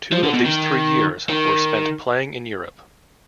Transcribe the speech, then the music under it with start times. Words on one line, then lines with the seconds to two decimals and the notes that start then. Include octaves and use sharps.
Two of these three years were spent playing in Europe.
0.13 F3
0.23 D3
0.33 B2
0.45 D#3
1.29 D#3